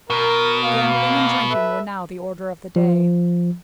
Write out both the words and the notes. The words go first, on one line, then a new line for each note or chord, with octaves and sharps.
Gambling and drinking were now the order of the day.
B2 A#4
A#3 F5
A4 B4 E5
F3